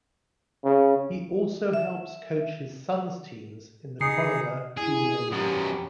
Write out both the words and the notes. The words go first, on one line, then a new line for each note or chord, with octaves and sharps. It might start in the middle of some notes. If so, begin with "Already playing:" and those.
He also helps coach his sons' teams in the Cronulla junior league.
C#3
E5
C#3 D#4 G#4 C7 C#7
E4 G#4
F#2 B3 G4